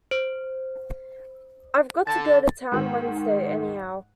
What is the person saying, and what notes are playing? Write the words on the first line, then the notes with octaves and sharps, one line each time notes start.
I've got to go to town Wednesday, anyhow.
C5
D3 A5 A6
G#2 D#3